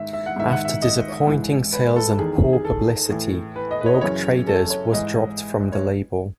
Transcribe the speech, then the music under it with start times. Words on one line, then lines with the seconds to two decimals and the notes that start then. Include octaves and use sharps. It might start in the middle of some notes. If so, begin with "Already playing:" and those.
After disappointing sales and poor publicity, Rogue Traders was dropped from the label.
Already playing: G#2 D#3 E5
0.13 E5
0.26 F#5
0.36 G#2 D#3 E5
0.52 F#5
0.65 E5
0.82 D#5
1.27 G#2 E3
1.72 B4
1.96 A4
2.18 E2 D#3 G#4
2.53 G#4
2.65 A4
3.10 A2 E3
3.56 B4
3.71 D#5
3.81 B4
3.86 C#5
3.94 D#5
4.01 F#2 C#3 E3 C#5
4.47 A4
4.70 C#5
4.92 G#2 E3 D#5
5.72 C#5